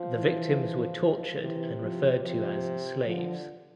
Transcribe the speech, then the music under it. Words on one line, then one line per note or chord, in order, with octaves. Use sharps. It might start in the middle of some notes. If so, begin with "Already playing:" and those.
The victims were tortured and referred to as "slaves".
Already playing: F3
E3
C3 E3
F3
C3 F3
D3 F3